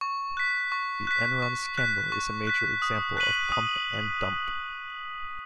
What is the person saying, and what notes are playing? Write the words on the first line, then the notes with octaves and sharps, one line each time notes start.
The Enron scandal is a major example of pump and dump.
C#6
F#6 B6
C#6
F#6 B6
C#6
F#6 B6
C#6
F#6 B6
D#6
F#6 B6 D#7 F#7
D#6